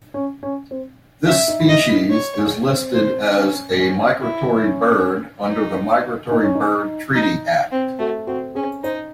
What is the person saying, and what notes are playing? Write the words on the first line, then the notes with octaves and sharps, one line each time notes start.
This species is listed as a migratory bird under the Migratory Bird Treaty Act.
C#4
C#4
C4
C#4 E5
D#4
E4
D#4 D#5
E4
C#5
G#4
C4
C5
C#4
C#4
E4
C#4
D#4
D#4
C#4
D#4
D#4
C4
A3 F#4
C4 F#4
C#4 G#4
D#4 C5